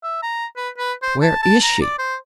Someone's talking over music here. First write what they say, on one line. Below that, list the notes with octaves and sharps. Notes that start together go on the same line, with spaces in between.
"Where is she?"
E5
A#5
B4
B4
C5
A5
A5
A#5
D5
C5